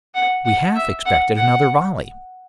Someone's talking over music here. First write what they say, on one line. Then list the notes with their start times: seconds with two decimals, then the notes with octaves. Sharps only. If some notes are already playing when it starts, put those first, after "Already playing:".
We half expected another volley.
0.15 F#5
0.45 F#5
0.75 E5
1.05 F#5
1.36 F#5